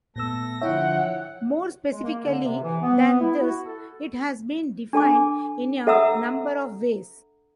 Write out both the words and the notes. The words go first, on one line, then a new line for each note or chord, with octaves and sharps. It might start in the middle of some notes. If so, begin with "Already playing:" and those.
More specifically than this, it has been defined in a number of ways.
A#2 A3 B3 A4 E6 A#6
D3 F3 E4 C#5 E5 F#5 G5
G#3
A#3
D3
C3
E3
B3
E4
F#4
A4
D4 A4 G#5 D6
A4 E5 F#5 A#5 D#6 E6